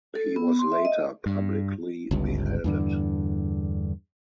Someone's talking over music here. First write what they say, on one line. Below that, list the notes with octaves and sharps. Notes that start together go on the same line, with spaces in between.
He was later publicly beheaded.
A4
B3
C6
E5
D#5
G2
G1 C#2 G2
E2 G2 D3